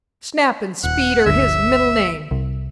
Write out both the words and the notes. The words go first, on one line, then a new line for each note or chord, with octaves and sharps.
Snap and speed are his middle name!
D#1 F#5
G1 D2 E5
C2